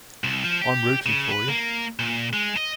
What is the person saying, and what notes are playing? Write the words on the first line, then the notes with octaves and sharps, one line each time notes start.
I'm rooting for you!.
C2
F3
G4
C#3
B4
A#3
A#2
G#3
D#5